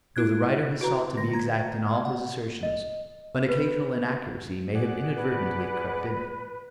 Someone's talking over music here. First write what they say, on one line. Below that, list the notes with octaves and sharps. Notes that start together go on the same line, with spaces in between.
Though the writer has sought to be exact in all his assertions, an occasional inaccuracy may have inadvertently crept in.
E4 F#6 G#6
F#4 B4 A#5
D3 A#6
A#5 G#6
F#5
D#5
B4
G#4 D5 F#5
B4